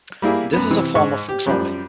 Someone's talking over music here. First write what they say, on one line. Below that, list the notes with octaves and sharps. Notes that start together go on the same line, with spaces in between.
This is a form of trolling.
G3 A#3 E4 G#4
F#2 B3
C3 E3
G#2 D#5 C#6
G4
F#2 F3 G3